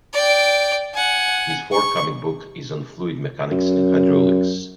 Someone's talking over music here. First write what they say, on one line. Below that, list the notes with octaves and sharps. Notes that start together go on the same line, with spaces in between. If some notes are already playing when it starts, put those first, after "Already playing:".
His forthcoming book is on Fluid Mechanics and Hydraulics.
D5 G5
F#5 G#5
C#6
F#2